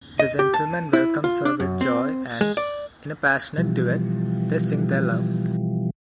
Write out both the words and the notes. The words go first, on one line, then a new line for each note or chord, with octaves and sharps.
The gentleman welcomes her with joy and, in a passionate duet, they sing their love.
D#5
G4
A5
E4
F4
D4
F#2
C4
G#3
D5
B2 E3 F3 G3